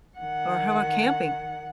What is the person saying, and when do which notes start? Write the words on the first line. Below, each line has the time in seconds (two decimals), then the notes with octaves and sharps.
Or how 'bout camping?
0.18 D#3 F#5